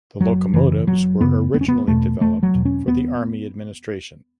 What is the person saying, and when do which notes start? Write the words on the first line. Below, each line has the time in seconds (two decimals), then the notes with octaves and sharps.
The locomotives were originally developed for the army administration.
0.20 F#1 F#3
0.54 F#2 C#3 E3
0.87 F#1 F#3
1.21 F#2 C#3 B3
1.54 E1 B3
1.61 C#4
1.68 B3
1.87 E2 B2 A3
2.20 E1 A3
2.43 F#3
2.54 E2 B2
2.65 C#4
2.88 E1 B3